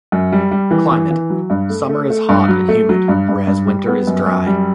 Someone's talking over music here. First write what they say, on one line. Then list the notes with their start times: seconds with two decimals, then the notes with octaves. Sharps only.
Climate: Summer is hot and humid whereas winter is dry.
0.12 F#2
0.32 G3
0.51 G3
0.71 E3
0.91 E3
1.10 E3
1.30 F#3
1.50 G2
1.70 A3
1.89 A3
2.10 A3
2.29 G2
2.48 F#3
2.68 A3
2.89 F#3
3.08 G2
3.29 G2
3.47 G2
3.67 G3
3.87 B3
4.07 F#2
4.26 F#2
4.46 G3